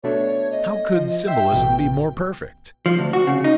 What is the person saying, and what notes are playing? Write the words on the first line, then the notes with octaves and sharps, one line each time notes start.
How could symbolism be more perfect?
B2 A3 D4 C#5
D#5
F3
C5 E5 G5
A1 B2
F3
D2
F#4
C#3
D#4